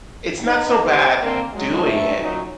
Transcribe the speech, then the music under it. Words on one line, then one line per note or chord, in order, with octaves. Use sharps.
it's not so bad doing it,
B3 D#4
A3 G4 C5
D3 A#3 C4 A#4 C5
F#3 G#3
G#2 A3
F#2 A#2 F#3 C#4 D#4